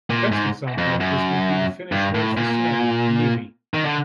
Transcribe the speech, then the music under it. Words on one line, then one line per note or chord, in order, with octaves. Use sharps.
The best example of this would be the Finnish word for snow, "lumi".
A#2
G#2
F2
F#2
G2
A2
A#2
D#3
D3